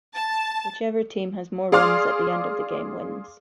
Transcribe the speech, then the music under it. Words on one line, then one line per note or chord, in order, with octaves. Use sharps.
Whichever team has more runs at the end of the game wins.
A5
G#4 D5 F5 C6 D6 F6